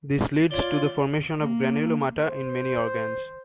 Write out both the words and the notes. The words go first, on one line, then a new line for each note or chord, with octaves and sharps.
This leads to the formation of granulomata in many organs.
F4 C#5 D5 G7
A#3
C5